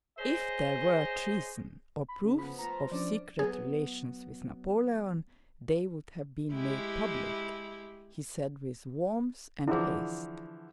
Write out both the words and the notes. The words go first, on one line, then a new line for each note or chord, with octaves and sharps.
"If there were treason, or proofs of secret relations with Napoleon, they would have been made public," he said with warmth and haste.
G#4 C5 C#5 D#5
B5
C#3
F3 B3 B5
A3 F4 C5 A#5
F3 C#4 D4 D5
F#3 B3 G#4
G#3 E4 G4
D3 E3 F3 E4 G#4